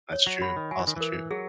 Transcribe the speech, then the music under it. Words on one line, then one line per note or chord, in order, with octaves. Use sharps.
That's true, also true.
C#5
F#3
F#3 B5
D#3
F#3 G#5
E3
D#3
E3 A#4
F#3 G#4